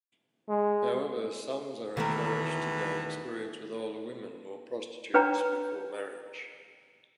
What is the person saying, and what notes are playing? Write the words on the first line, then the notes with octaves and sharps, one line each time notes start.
However, sons are encouraged to gain experience with older women or prostitutes before marriage.
G#3
E2 B2 D#3 E3 A3 A#4
D4 B4 C#5 G5 A#5